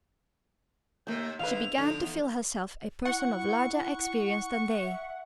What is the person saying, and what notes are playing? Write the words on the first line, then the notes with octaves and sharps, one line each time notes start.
She began to feel herself a person of larger experience than they.
D#2 C3 A#3 G#5 G6
G#2 D3 D#3 B4 F5 F7
D3 F3 D4 D#4
E2
E4 F#5 C#6
E5